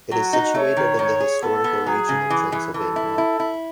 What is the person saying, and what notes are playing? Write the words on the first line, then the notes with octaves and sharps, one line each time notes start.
It is situated in the historical region of Transylvania.
F#3 F#4
D#4
A3 C#5
D#3
D#3 C#5
G#4
B3 A4
B3
F#3 G#4
C#3
E3
E3
E3 A4
E4
E4
E4